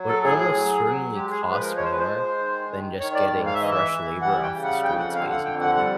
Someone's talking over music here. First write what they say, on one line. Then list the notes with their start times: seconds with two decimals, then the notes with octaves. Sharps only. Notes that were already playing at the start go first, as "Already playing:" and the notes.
would almost certainly cost more than just getting fresh labor off the streets, basically.
Already playing: F#3
0.08 A4
0.23 A2 G#4
0.39 G#4
0.54 F#3
0.84 F#3
1.15 G#3 G4
1.31 G#4
1.45 F3
1.51 B4
1.61 A#4
1.77 G#3 C#5
1.84 C5
1.92 B4
1.99 C5
2.07 G#3
2.38 D#3
2.69 D#3
2.99 D#3 C#5
3.14 D5
3.31 G#2
3.46 F5
3.54 E5
3.61 E3 D#5
3.70 E5
3.92 E3
4.22 G3 F#5
4.43 G5
4.53 C#3
4.63 F#5
4.83 F2 G5
4.99 F#5
5.14 D3 F5
5.30 F#5
5.45 F2 G5
5.60 F#5
5.76 G3 F#5